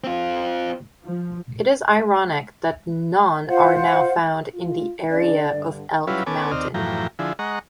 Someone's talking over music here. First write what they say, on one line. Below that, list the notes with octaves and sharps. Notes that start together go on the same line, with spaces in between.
It is ironic that none are now found in the area of Elk Mountain.
C4 F4
F3
F4 C5 F5 F#5
F4
C#3 D4 D5
G2 D3
F#3 G3 C#4 E4 F4 B4
B3 C#4 A4 G#5 D6
D#2 C4 D5 D#5 F6
F#2 A2 E3 F3 G5 A#5
D3 F3 E4 G#4
G#3 D#5 F#5 A#5 C#6